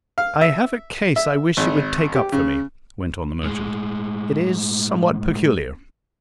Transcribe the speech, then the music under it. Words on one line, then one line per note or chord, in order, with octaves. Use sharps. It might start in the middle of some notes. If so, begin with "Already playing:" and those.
"I have a case I wish you would take up for me," went on the merchant. "It is somewhat peculiar."
F5
E5
E5
G#1
G4
C#3
A2 G#3